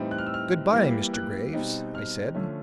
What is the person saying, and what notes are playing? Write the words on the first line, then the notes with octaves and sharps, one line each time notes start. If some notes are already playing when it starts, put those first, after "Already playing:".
"Good-bye, Mr. Graves!" I said.
Already playing: A2 E3 G3 C4 D#4
F#6
F6
E6
F6
E3 G3 A#3
F#6
B2 G3 C4 D#4
F6
D3 F3 A3 C#4